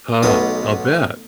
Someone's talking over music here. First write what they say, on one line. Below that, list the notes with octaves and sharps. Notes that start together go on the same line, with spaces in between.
Huh, I'll bet.
B1 B2 A3 B3 D#4 D#6